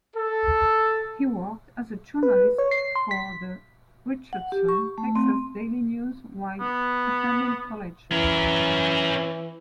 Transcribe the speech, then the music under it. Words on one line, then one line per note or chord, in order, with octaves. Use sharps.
He worked as a journalist for the Richardson, Texas, Daily News while attending college.
A4
B4
C#5
C7
C6
B6
F#5
G4
C#6
A3
C4
B3
E3 C#4 A#4